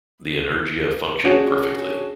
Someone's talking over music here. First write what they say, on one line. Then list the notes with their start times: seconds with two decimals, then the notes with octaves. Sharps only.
The Energia functioned perfectly.
1.24 C#4 D4 F#4 G#4 C#5